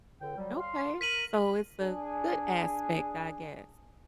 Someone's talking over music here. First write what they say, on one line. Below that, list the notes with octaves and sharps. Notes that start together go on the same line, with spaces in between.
Okay, so it's a good aspect, I guess.
C#2 D3 G5
F#3 G3
F5 C6
A#4 B6 D#7 F#7
D4 G#4